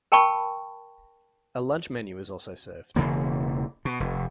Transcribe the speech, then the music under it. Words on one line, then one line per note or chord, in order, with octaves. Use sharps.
A lunch menu is also served.
A#4 G5 A5 B5 C#6
E1 C#3 E3 A#3
B2
F1